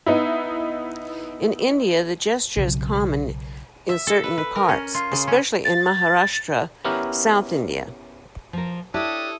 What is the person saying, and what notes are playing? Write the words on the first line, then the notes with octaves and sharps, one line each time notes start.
In India the gesture is common in certain parts, especially in Maharashtra, South India.
B3 D#4 E4
B1 C#3 F#3
E5
A4
B4
B4
A#4
C#4
F4
C#3
C#4
A6
B3 C#4 E4 G4 A#4
F3 A#4
D4 E4 G4 A4 C#5 D#6